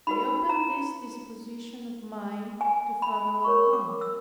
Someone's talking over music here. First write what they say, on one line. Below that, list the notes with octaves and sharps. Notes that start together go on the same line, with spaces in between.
I opened this disposition of mine to Father La Combe.
D#4 F#4 B4 B5
A#5
G#5
B5
F#4 A#4 C#5 C#6
D6
E6